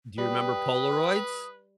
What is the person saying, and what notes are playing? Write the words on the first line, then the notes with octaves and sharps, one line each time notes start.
Do you remember Polaroids?
G3 B4 G5 D#6